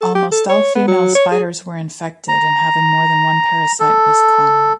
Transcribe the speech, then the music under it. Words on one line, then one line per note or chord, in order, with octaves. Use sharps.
Almost all female spiders were infected and having more than one parasite was common.
A4
G4
A4
C#5
B3
F#3
C#5
G#4
A#5
A4